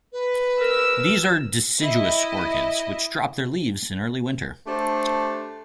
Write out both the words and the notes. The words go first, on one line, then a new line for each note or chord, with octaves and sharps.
These are deciduous orchids, which drop their leaves in early winter.
B4
A#4 E6
E4 D#5
A3 D4 G4 C5